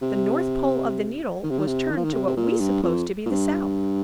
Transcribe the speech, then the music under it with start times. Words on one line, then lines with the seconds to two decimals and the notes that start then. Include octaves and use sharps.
The north pole of the needle was turned to what we supposed to be the south.
0.02 C3
1.43 D#3
1.50 C3
1.58 D#3
1.67 C3
1.90 D#3
1.97 F3
2.04 D#3
2.13 C3
2.27 C3
2.37 A#2
2.60 G2
2.83 F2
3.26 A#2
3.31 G2